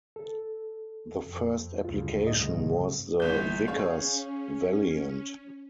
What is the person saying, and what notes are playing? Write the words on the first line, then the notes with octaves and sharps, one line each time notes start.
The first application was the Vickers Valiant.
A4
F2
D2 G2 C#3 F4
A2 D#5
G1 E2 G6
C#4 G#4 C#5 F5